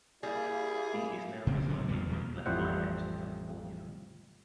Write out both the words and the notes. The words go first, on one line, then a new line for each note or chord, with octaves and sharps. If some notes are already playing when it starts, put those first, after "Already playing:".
He is now residing in Lafayette, California.
G3 A#3 E4 G#4
A2 C#3 C4
B2 D3 F#3 A3
A1 F2 G3 B3
E2 B2
A1 F2 G3 E4 C5 F#5